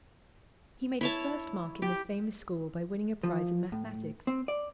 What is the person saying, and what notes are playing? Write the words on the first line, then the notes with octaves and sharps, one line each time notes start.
He made his first mark in this famous school by winning a prize in mathematics.
E4 C#5 A5
G4
F3
A2
C4
D5